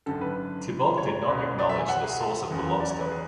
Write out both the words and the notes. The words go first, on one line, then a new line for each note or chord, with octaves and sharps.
Thibault did not acknowledge the source of the lobster.
G#1 F#2 D3 A4
B4
C#5
C#2 B2
D5
E5
G#5
F#5
G#4
A4
F#1 E2 C#3
D5
C#5
B4
G#4